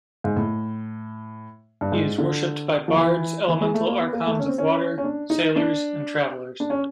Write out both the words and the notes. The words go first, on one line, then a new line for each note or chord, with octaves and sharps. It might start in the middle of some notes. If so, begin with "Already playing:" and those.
He is worshipped by bards, elemental archons of water, sailors and travelers.
G#2
A2
G2
G#2
D3
F3
E3
E3
G#3
A3
A#3
B3
A#3
A3
C#4
C4
C#4
C#4
D4
D#4
D4
D4
C#4